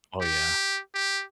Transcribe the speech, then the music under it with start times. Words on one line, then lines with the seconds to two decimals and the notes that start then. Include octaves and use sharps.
Oh, yeah.
0.21 G4
0.94 G4